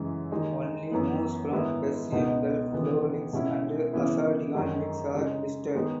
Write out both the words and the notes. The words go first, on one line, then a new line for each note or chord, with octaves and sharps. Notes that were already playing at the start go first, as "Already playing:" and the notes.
Only moves from Persian Gulf Pro League and Azadegan League are listed.
Already playing: F#2 C#3 E3 G#3
D#2 D#3 G#3 D#4
F#2 E3 B3
G#2 D#3 G#3 B3 E4
C#2 B2 G#3 B3 D#4
D#2 C#3 E3 B3
B2 G#3 C#4 E4
C#3 E3 B3 E4
F#2 D#3 G#3 D#4
C#3 G#3 D#4
D#3 G#3 B3